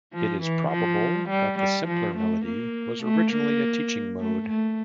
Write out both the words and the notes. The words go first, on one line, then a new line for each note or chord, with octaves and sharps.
It is probable that the simpler melody was originally a teaching mode.
F3
E3
F3
G3
G3
F3
A3
A#3
A3
A#3
A3
A3